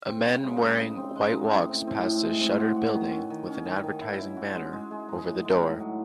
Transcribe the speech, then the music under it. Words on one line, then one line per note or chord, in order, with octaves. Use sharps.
A man wearing white walks passed a shuttered building with an advertising banner over the door.
C4
C#3
G#3
D#4
C#3
C4
G#3
D#4
A2
C4
C4
A2
G#3
C4
F#4
F#4
D#3
C#4
D#3
C#4
D#3
D#3
E4
E4
F#4
G#3
G#3
G#3
D#4
A2
G#3
A2
F#3